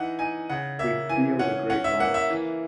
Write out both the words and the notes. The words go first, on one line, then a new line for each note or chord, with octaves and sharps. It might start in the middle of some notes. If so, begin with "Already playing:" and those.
We feel the great loss.
Already playing: E3 D#4 F#5
D#4 G#5
C#3 F#5
A#3 E5
E3 G#5
C#4 F#5
C#4 F#5
E5
A#3 F#5
E5
E3